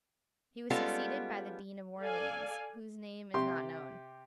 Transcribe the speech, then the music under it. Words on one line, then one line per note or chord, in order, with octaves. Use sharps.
He was succeeded by the Dean of Orleans, whose name is not known.
G3 G#3 B3 C#4 F4 A4
A4 D5 F5 G#5
C3 G4 C6